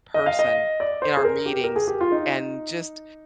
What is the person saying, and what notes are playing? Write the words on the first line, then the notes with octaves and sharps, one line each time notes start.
person in our meetings and just
D#5
F5
D#5
D5
C5
G#4
A#4
G4
A#4
G#4
G4
F4
D#4